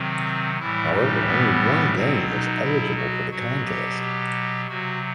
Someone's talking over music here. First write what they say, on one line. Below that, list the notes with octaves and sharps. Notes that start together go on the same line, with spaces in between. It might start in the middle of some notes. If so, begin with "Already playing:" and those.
However, only one game was eligible for the contest.
Already playing: C3 D#3 F#3 C4
A2 E3 G3 E4
D#4
B3
B2 F#3 C4
D#4
E4
F#4
B2 F#3 F#4
G4
G4
C3 F#3 F#4